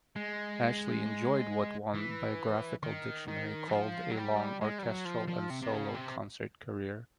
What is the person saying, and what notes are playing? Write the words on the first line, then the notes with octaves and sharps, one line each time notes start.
Ashley enjoyed what one "Biographical Dictionary" called "a long orchestral and solo concert career".
G#3
E3
D#3
D#3
E3
F3
F#3
G3
G#3
G3
F#3
F3
F3
C3
C3
C#3
B2
C3